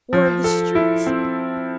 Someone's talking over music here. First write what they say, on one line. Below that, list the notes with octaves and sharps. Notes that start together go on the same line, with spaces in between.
War of the streets?
F3
A4
E4
C4